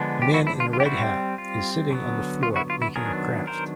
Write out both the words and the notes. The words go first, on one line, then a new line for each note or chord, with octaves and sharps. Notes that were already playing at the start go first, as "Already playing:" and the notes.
A man in a red hat is sitting on the floor making a craft.
Already playing: D3 F3 G#3 B3 D4
G4
E4 F#4
E4
F4
F4
G4
G3 C4 E4 F#4
F4
D3 F#3 B3
F4
E4 F#4
F4
E4
D#3 F#3 B3 D4 G#4 A#4
A#4 C5